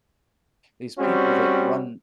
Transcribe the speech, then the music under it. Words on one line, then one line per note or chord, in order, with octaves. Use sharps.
these people that run
G3 C4 C#4 F#4